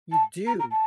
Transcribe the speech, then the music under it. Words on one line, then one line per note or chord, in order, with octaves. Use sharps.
You do.
A5
A#5
A#5
A5